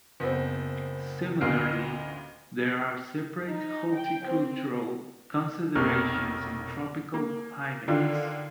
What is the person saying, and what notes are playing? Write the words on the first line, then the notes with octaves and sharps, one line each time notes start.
Similarly, there are separate horticultural considerations in tropical climates.
F#1 B3 C4
A1 D2 A#3 F6 C7 D7
D#4
G5
C4
F1 B1 A#3 F6
A#3
D3 D#3 D4 F4